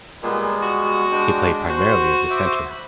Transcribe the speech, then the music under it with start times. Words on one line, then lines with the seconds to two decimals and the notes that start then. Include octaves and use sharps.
He played primarily as a centre.
0.23 A#2 G3 G#3 B3
0.62 F#4
1.12 G#3 D4 G5
1.70 F#4 C5
2.30 C5 E5 D6
2.70 B5